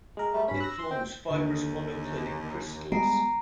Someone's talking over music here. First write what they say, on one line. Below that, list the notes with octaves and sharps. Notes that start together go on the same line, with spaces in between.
It forms fibrous monoclinic crystals.
G#3 A#4
G3 A3
G2 C#4 B5
E6 F#6 A#6
C6
C4 G5
D#2 D3 D#5
G3 G#3 B3 A#5 C7 D7